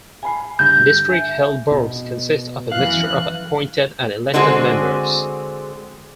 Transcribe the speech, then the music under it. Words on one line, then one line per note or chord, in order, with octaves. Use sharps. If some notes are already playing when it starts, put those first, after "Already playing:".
District Health Boards consist of a mixture of appointed and elected members.
G#5 B5 C7
G2 D3 G6 A#6
E5 G#5
B2
F#2 E3 F5 F#6
D3 G#3 C4 F#4 G#4